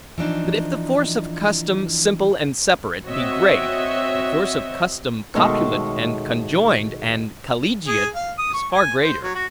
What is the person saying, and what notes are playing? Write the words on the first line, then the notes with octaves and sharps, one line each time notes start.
But if the force of custom simple and separate, be great, the force of custom copulate and conjoined and collegiate, is far greater.
E3 F3 D4 D#4
C4 F#4 C#5 D#5 E5
B2 D#3 G#3 A3 A4 C#5
G#4
F5
D#6
C#6
G#5
C5
F#3
F#4